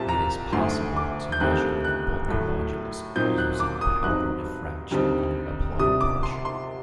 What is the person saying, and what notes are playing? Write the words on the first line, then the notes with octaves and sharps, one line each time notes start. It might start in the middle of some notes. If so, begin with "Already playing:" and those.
It is possible to measure the bulk modulus using powder diffraction under applied pressure.
Already playing: C2 A#2 G3 C4 A5
A#5
D2 D3 A3 D#4 C6
D6
G6
D#2 D3 A3 C4 D#4 F#6
F#6
A2 F#3 A3
A#2 F#3 C4 D#4 G6
F#6
D6
D#6
G2 F#3 C4 D#4 F#6
D#2 D3 G3 C4 D#4
C3 G3 D4 D#6
D6
C6
C6